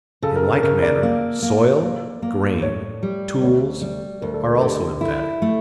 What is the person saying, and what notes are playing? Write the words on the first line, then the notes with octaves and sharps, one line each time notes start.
In like manner, "soil," "grain," "tools," are also emphatic.
C#3 A4
A#4
A4
C#3 A#4
D5
A#3
A#3
A#3
A#3
A2 C#5
G3
D2 C#5
G3
D2 A#4
A4
A#4
D3 G4
E4 A4
A3